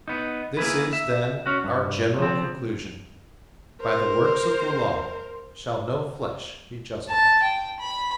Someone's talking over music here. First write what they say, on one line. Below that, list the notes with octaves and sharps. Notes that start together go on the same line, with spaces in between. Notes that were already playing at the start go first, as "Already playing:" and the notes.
This is, then, our general conclusion: "By the works of the law shall no flesh be justified."
B3 D#4
A#3 E4 G#4 B4
E5
C#4 F#4
G2
F3 C4
A#4 C5
A5
G5
B5